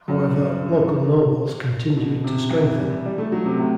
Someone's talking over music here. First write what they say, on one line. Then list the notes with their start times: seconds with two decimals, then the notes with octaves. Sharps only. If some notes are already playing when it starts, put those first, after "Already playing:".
However, local nobles continued to strengthen.
0.08 F#2
0.34 G2
1.97 B2
2.24 C3
2.50 E3
2.78 G3
3.05 G3
3.18 A3
3.32 F#3
3.46 C3
3.59 A2